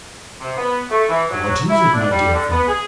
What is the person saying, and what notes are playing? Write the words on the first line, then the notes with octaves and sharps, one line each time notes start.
"What is it, my dear friend?"
C3
B3
A3
E3
F#3
E4
D4
G3
D3
B3
G#4